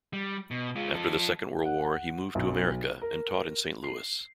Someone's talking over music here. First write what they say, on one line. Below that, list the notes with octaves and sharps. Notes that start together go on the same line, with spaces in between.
After the Second World War he moved to America and taught in Saint Louis.
G3
B2
G#3 F4
F3 A4
F#5
B1
A#4
C7